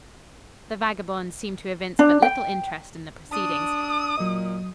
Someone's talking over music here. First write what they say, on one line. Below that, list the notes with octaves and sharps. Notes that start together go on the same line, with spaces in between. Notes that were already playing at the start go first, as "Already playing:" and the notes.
The vagabonds seemed to evince but little interest in the proceedings.
D4
G5
D4 D#6
A#2 F#3 D#5